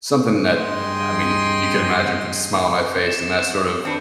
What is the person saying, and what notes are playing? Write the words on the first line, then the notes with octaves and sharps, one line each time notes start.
something that, I mean, you can imagine, puts a smile on my face, and that sort of
G2 G#4 D#5 G5 C6
E7
C4 D4 B4 C#7